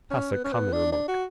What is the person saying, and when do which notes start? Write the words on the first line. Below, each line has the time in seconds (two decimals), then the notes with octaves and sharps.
Pass a common remark.
0.11 C#4
0.32 B3
0.44 C#4
0.52 B3
0.73 D4
0.92 D4
1.08 F#4